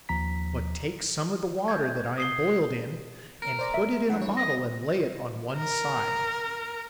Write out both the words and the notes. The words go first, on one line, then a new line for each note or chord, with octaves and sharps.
But take some of the water that I am boiled in, and put it in a bottle and lay it on one side.
D#2 F3 A#5 B6
G6 G#6
D#6 C7 G7
A#4 A#5
C5 D5 A#5
E5
G2 E3 F#5
C#5
D#5 A#6
A#4